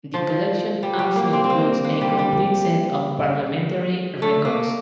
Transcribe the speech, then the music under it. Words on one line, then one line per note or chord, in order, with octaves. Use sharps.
The collection also includes a complete set of Parliamentary records.
F3
G3
G3
A#3
C4
C4
A#3
A#3
G3
G3
A3
A#3